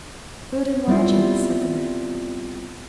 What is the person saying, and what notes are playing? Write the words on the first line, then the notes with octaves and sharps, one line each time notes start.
"Food and lodging," said the man.
G3 B3 C4 E4 F4 G4